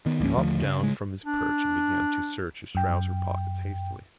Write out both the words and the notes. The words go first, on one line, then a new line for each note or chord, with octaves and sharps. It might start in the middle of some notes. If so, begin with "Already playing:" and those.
He hopped down from his perch and began to search his trouser pockets hastily.
D#3 B3
C#2 F3 A#3 C#4
D#2 D3 F3 A3
C#3
C#3 G#3
D4
F#2 G5